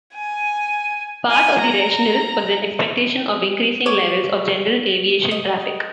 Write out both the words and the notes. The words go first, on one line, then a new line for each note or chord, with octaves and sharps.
Part of the rationale was an expectation of increasing levels of general aviation traffic.
G#5
G#5
A#5
B4 C#5 C#6 D6
D#5